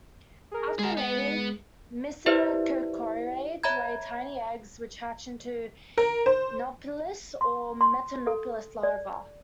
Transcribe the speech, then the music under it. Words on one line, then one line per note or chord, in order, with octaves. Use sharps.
After mating, mystacocarids lay tiny eggs which hatch into a nauplius or metanauplius larva.
G#4 A#4
G#3 G#4 A#4
B3
E4 G4 B4 C5 D5 E5
C#5 E5 A#5 B5 G#6
A#4
C5
C6
C6
A4
D5